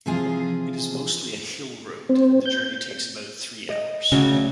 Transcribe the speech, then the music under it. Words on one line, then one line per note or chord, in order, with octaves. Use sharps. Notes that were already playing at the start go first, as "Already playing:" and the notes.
It is mostly a hill road and the journey takes about three hours.
C3 E3 F3 F4 G#4 F5
C4
G6
D#5
D2 C#3 F#3